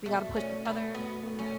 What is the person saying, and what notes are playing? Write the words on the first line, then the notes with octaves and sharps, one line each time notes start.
we gotta push each other, yeah.
B2 A3
A3 C#4
A3 B3
B2 B3
A3
C#4